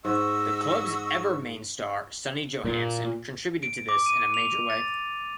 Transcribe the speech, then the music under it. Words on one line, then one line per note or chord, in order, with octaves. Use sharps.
The club's ever main star Sonny Johansson contributed to this in a major way.
G#2 F#4 D#5 C#6 E6
A#2
D7
D6
D#7
F7
A6